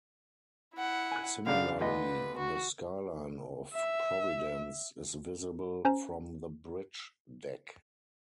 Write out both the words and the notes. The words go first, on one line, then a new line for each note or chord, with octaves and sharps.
Similarly, the skyline of Providence is visible from the bridge deck.
E4 F#5
G#5 F#6
F#2 C#3 D4 F5
D2 B4 D#5
F#4
E5
C#4 C5 G#5 A#5